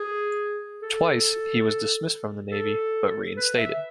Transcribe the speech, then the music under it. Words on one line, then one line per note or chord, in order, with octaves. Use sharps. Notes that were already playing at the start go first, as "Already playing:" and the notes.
Twice, he was dismissed from the Navy, but reinstated.
Already playing: G#4
A4
A4
B4
E5